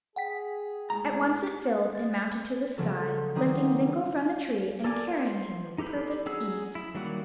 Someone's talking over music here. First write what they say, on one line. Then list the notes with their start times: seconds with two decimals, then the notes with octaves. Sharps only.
At once it filled and mounted to the sky, lifting Zingle from the tree and carrying him with perfect ease.
0.16 G#4 F#5 G5 B6
0.90 A2 G#3 A#5
1.95 A6
2.78 C#3 F3 F#3 A4
3.35 D#3 F#3 G3 B3 C4 D#4
4.84 A4 A#4 D5 G#5 D6
5.10 C5
5.78 D#4 G4 A4 C5 B5
6.26 F#3 C#4 G#4 E6
6.75 E4
6.95 D#3 F#3 G3 A#3 F#5